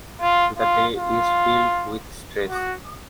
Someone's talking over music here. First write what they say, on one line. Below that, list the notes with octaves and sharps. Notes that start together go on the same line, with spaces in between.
The day is filled with stress.
F4
F4
F4
F#4